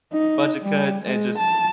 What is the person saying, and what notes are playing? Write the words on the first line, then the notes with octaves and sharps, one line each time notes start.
Budget cuts, and just
D#4
G3
G#3
A5